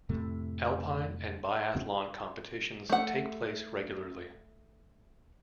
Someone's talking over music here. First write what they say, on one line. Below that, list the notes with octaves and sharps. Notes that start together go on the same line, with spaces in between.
Alpine and biathlon competitions take place regularly.
F2 A2 C3 A3
A3 F#5